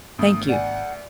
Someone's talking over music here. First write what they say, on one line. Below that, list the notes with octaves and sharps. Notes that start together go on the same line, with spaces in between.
Thank you.
G#1 D2 B3 D4 D#6
D5 F#5 G#5